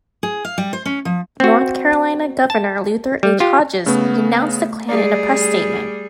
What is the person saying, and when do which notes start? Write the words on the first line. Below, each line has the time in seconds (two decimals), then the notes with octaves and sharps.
North Carolina Governor Luther H. Hodges denounced the Klan in a press statement.
0.23 G#4
0.45 F5
0.58 G3
0.73 C5
0.85 C#4
1.05 F3
1.40 C4 F#4
2.50 A5
3.23 G3
3.40 F4 G4
3.86 C#3 A3 B3
4.89 G3 G#4 D5